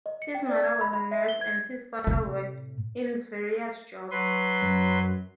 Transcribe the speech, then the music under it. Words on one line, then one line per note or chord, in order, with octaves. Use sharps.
His mother was a nurse and his father worked in various jobs.
D#5
C#7
G5
D5
G#6
B5
B5
E5
G7
G#6
A2 C3
F#3 B4 C6
F#2